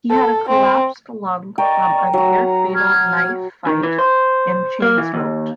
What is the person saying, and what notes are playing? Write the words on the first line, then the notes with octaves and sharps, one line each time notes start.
He had a collapsed lung from a near-fatal knife fight, and chain-smoked.
A4
C4
A#4 D5 D#5 G5 C#6
F#3 F#4
A#5
F6 G#6
D#3
E3
C5
A#3
E3
D#2